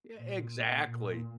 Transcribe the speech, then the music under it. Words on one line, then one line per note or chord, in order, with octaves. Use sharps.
Yeah, exactly.
A#2
A#2